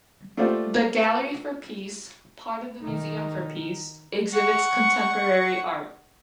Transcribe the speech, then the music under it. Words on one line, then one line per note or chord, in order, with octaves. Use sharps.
The Gallery for Peace, part of the Museum for Peace, exhibits contemporary art.
A3 F4 G4 C5 D5
D#3 D#4
F#5 C#6